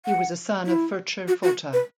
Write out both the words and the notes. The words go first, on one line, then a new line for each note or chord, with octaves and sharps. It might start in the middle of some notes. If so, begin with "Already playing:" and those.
He was a son of Ferchar Fota.
F#5
E4
F#4
F#4
B4